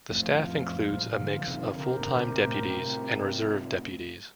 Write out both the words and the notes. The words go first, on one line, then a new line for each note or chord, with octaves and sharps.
The staff includes a mix of full-time deputies and reserve deputies.
F2 A2 F4 C5 F5
G2 A#2
D3 F3
F3
C3 D#3
D3 C4 G4 A#4
C3
A#2 D3
D3
C3
A#2
A2 C3
A2 C3